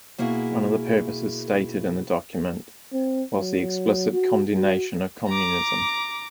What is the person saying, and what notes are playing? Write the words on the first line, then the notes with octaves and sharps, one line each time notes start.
One of the purposes stated in the document was the explicit condemnation of Communism.
B2 A#3 E4 F#4 G#4
C4
F#3
F#4
F#4
A#5 D6